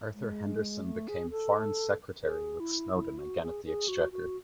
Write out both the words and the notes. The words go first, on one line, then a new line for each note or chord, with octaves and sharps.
Arthur Henderson became Foreign Secretary, with Snowden again at the Exchequer.
G#3
A3
G#4
A4
G#4
E4
E4
F#4
G#4
G#4
F#4
F#4